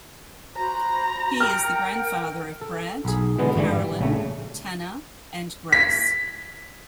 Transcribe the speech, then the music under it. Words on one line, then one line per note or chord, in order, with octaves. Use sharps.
He is the grandfather of Brad, Caroline, Tanner, and Grace.
F#4 C5 A#5 B5
A#4 F#5 G5 F6
A4
B1 G#4
B2 D3 E3 G#3 B3
G#1 D3 E3 G3
G3
A#1 C#3 A3
B6